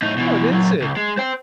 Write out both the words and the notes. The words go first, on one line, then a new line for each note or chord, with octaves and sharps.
"What is it?"
A2 D#4
B2 E3
A#2 F#3
C#2
G#3
C5 G5